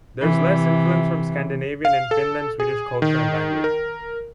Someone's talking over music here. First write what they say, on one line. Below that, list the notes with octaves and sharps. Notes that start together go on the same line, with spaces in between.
There is less influence from Scandinavian and Finland-Swedish culture and language.
C3 E3
F5
A4
G#4
D#3
A#4